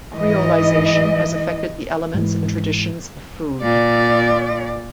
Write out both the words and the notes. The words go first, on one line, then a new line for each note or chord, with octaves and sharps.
Creolization has affected the elements and traditions of food.
G#2 E3 D#5
G#2 E3
A#2 D5